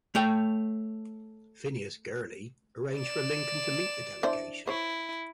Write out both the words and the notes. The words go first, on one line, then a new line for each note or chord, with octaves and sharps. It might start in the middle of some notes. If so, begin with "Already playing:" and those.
Phineas Gurley, arranged for Lincoln to meet the delegation.
A3 C#5 G5
D5 E7
E3 D4 C5
E4 C5 C#5